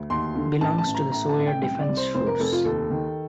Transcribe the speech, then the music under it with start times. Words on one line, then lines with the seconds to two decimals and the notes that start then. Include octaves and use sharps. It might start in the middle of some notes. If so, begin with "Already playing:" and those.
Belongs to the Soya Defense Force.
Already playing: D2
0.10 D#2 C6
0.35 D3
0.61 A1 A5
0.78 A5
0.86 A1
0.94 A#5
1.12 A2 A#5
1.29 A5
1.38 A1
1.47 G5
1.62 C2 G5
1.80 D5
1.89 C2
1.97 C5
2.15 F1 C5
2.26 A#4
2.40 F1 A4
2.52 F4
2.65 D#2 A4
2.90 D#3